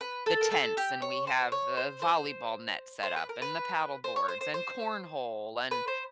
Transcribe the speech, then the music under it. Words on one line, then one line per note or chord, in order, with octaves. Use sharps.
the tents and we have the volleyball net set up, and the paddle boards, and cornhole, and,
B4
A4
A#4
A4
G4
C#5
C5
C#5
C5
C5
C5
B4
A#4
B4
C5
C#5
C5
C5
C5
B4
C5